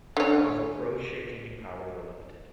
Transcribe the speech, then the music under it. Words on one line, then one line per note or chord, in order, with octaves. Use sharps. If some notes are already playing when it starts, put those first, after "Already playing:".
However, Kro's shape-changing powers are limited.
D3 C#4